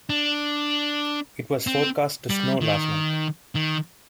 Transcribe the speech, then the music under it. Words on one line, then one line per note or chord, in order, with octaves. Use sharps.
It was forecast to snow last night.
D4
C4
G3
D#3
D#3